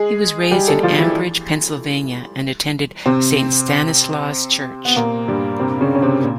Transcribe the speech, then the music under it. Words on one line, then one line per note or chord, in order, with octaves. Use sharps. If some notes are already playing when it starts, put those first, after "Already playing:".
He was raised in Ambridge, Pennsylvania and attended St. Stanislaus Church.
Already playing: G#3 G#4
G3 G4
A3 A4
F3 F4
E3 E4
C3 C4
B3
A#2 A#3
G2 G3
C3 C4
C#3 C#4
C#4
C3 C4
A#2